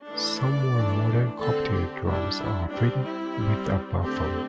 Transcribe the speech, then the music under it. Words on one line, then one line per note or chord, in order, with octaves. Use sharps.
Some more modern cocktail drums are fitted with a baffle.
E3 A3 D4
D5
E3 A3 D4
D3 C4 A4
G4
G3 D4 E4
E4
G3 C4 D4
E4
G3 C4
D3 A3 C4 G4